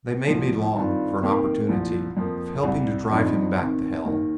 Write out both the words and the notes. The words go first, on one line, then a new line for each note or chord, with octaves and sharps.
They made me long for an opportunity of helping to drive him back to hell.
C2 A#2 F3
G2 D#3 C4 F4
C3 D#3 A#3 G4 A#4
C2 A#2 F3
F2 F3 A#3
C2 C3 G3
G1 G2 F3 C4 D#4
C3 D#3 C4
D#2 D#3 A#3